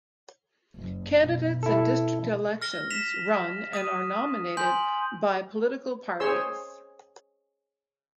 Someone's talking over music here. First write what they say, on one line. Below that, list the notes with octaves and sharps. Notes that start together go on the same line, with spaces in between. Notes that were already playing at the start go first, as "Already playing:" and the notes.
Candidates in district elections run and are nominated by political parties.
F#1
B2
E4 A4
F6 A#6 G7
B6 E7 F7
D#6 D#7
G#5 C6 G6 F#7
G#4 C5 C#5 C6 E6